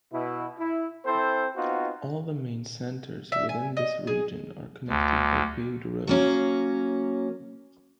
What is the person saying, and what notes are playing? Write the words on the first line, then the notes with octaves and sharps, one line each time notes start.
All the main centres within this region are connected by paved roads.
B2 E4
E4
C4 E4 A4 C5
B3 C4 D#4 F4 F#4
E5
G#5
D#5
G#4
D2
F#3 A#3 C#4